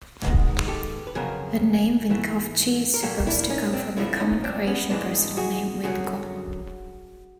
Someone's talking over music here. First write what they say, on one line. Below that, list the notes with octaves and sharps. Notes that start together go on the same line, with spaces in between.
The name Vinkovci is supposed to come from the common Croatian personal name "Vinko".
G#2 D#3 G#3 B3
G4 A4
B4
F2 C#3 F#3 A#3 G#4 A#4
G#2 E3 A3
A#4
A#2 F#3 A#3 G4 A4
D4 E4
E4
C#4 D#4
C4 D4
G2 D3 F3 A3 D4 E4
C#4 D#4
C4 D4
B3 C#4
G#2 E3 G#3 C4 D4
F#4 G#4
F#2 D3 F#3 F#4 G#4